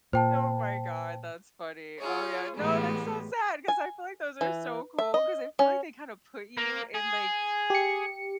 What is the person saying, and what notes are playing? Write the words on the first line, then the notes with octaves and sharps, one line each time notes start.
Oh my god, that's funny. Oh, yeah, no, that's so sad 'cause I feel like those are so cool 'cause I feel like they kinda put you in, like,
A#2 C5 G5 A5
F4 G#4 C#5
A2 E3 G3 G#3 B3
G#5
E3
E5
D#5
C#4
A#3
G#4
G4 C#7